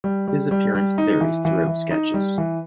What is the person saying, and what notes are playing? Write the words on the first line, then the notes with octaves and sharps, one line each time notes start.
His appearance varies throughout sketches.
G3
G3
G3
G3
D#4
E3
E3
E3
D#4
G3
E3